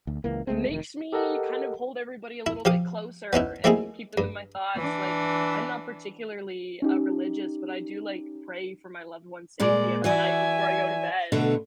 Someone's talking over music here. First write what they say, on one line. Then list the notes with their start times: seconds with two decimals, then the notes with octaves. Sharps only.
makes me kind of hold everybody a little bit closer and keep them in my thoughts. Like, I'm not particularly, uh, religious, but I do like pray for my loved ones' safety every night before I go to bed.
0.07 D2
0.24 C#2 E3 A#3
0.47 D2 G#3 A3 C4
0.69 F1 D#3
1.13 G4 A4 A#4 D#5 F#5
2.46 E4
2.65 F3 G4 F5 D#6
3.33 B3 C#4 D#4 E4
3.64 A3 A#3 C4 D#4 E4 G#4
4.18 G2
4.75 E3 D4
6.82 C#4 D#4 G4
9.60 A#2 G#3 D5
10.04 E3 F#4 D5 E5 G#5
11.32 B2 D3 A3